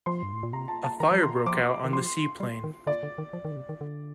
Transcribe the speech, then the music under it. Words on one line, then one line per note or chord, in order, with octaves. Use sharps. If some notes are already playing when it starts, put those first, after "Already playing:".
A fire broke out on the seaplane.
F3 C6
G2
A2
A#2
C3 A#5
A5
A5
D#3 A#5
F3
D#3 C6
F3 D6
D#3
F3 C6
G3
D#3
D3 D5
D3
D#3
F3
D#3
D3
C3
D#3
D3